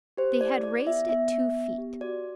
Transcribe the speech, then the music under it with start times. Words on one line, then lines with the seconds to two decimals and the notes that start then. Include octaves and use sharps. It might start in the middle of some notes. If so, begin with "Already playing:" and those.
They had raised it two feet.
0.17 G4 C5
0.40 E4 D5
0.63 E4 D5
0.86 B3 E5
1.09 B3 E5
1.32 B3
1.56 B3
1.78 G4
2.01 F#4 D5